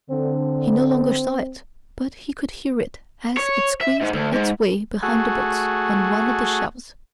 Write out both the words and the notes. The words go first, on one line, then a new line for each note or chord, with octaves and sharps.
He no longer saw it, but he could hear it as it squeezed its way behind the books on one of the shelves.
D3 C4
C#5
E5
G#2
D2
G#2
A3 F#4 G#4